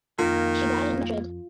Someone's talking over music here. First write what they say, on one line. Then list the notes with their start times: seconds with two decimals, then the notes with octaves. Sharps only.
She died in Madrid.
0.19 F2 D#3 A#3 F4